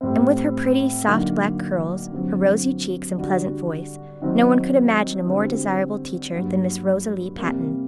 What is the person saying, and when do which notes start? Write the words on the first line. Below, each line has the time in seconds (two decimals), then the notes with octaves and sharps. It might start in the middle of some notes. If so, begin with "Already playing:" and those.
And with her pretty soft black curls, her rosy cheeks and pleasant voice, no one could imagine a more desirable teacher than Miss Rosalie Pattten.
0.01 A2 G3 C4
1.06 D3 F#3 A#3 D#4
2.11 G2 D3 F#3 C4
3.16 D3 G3 D4 F#4
4.22 D#3 F#3 C4 D#4
5.27 D3 G3 C4 F#4
6.32 G2 F#3 A#3
7.38 C3 G3 A#3